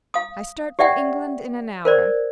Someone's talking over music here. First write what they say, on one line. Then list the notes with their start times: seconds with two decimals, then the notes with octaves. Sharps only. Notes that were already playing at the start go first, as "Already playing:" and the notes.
"I start for England in an hour."
0.14 F5 D#6
0.79 G4 D5 E5 F#5 G5
1.85 A#4 C5 D5